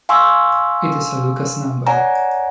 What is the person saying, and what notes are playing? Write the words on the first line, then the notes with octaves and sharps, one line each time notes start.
It is a Lucas number.
F5 G#5 C6 C#6 E6
C#5 D5 F#5 G#5 A#5